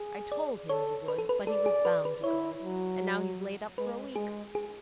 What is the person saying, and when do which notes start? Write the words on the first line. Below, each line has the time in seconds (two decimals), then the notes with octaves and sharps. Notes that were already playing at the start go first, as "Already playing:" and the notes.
I told him he would, but he was bound to go, and now he's laid up for a week.
Already playing: G#4
0.32 D5
0.69 A4 C#5
1.08 B4
1.18 A4
1.29 B4
1.47 A4 D5
1.66 G#4
1.85 B4
2.05 B4
2.23 E4 C#5
2.63 F#3
3.78 G#3 B4
4.16 G#3 G#4
4.55 G#4